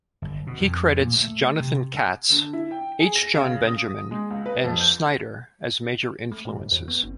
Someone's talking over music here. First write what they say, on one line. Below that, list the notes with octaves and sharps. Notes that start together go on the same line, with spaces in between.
He credits Jonathan Katz, H. Jon Benjamin, and Snyder as major influences.
G1
B2
F2
A#2
A3
C3
D3
E4
G5
G#4
A#6
C#3
D#6
G#3
C#2
B4
F2
G6
A3
A#2
G2
E2
B3
G1